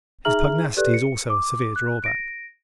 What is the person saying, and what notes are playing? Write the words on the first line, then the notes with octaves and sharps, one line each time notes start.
His pugnacity is also a severe drawback.
D#4 G#4 E5 A#5 F6 F#7
G4 A4 B4 D5 F#6
C#7
D6
F#6
A#6 D7